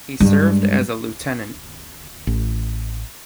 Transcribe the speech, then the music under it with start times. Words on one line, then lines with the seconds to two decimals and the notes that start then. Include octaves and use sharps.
He served as a lieutenant.
0.20 G2 G#3
2.27 A1